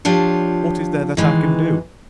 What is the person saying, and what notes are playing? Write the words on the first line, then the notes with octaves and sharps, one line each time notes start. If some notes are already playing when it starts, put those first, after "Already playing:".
What is there that I can do?
F3 D4 F4 G4 C#5
D#3 E3 G#3